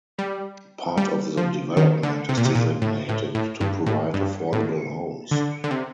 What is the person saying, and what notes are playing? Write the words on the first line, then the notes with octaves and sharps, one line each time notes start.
Part of the development is designated to provide affordable homes.
G3
G3
F3
D#3
D3
C3
A#2
C3
A#2
A2
A2
A2
G2
A2
G2
A2
D3
D3
C3